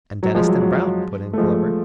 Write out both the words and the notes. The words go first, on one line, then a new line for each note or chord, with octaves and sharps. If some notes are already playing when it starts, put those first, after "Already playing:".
"And Deniston Browne," put in Clover.
F#3
F3 G#3
F#3
F#3
A3
F3 G#3